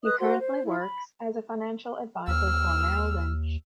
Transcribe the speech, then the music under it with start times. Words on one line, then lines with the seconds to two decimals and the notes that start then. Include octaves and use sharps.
He currently works as a financial advisor for Merrill Lynch.
0.04 B4 D#5 D#6 F#6
0.19 F#4 A#4 C5 C6
0.40 C5
0.64 E4
0.79 B5
2.28 D#2 E6 F6